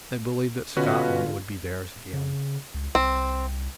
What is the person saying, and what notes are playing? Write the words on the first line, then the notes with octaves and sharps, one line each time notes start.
They believed that Scotland would be theirs again.
B2 D3 C#4 F4 F#4 B4
C#3
C#2
C2 C4